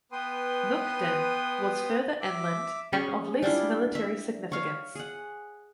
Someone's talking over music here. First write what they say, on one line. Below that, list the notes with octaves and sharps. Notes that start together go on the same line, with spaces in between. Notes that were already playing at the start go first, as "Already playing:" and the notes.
Mukden was further inland and of less military significance.
B3 B4 G5 C6 D#6
E5 D6
C#4 G#4 C#6
G3 D4 E4 F4
E5
C#5 F5
G#4 F#5